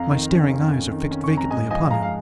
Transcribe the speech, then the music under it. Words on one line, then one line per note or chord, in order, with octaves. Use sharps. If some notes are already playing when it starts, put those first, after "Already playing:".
My staring eyes are fixed vacantly upon him.
Already playing: F2 F5 A#5
D#3
C#4
F2
F2
D#3
C#4
C#6
F2
A#5
G#2 D#5 G#5
F3 D#5 G#5
G#3 F5 A#5
F5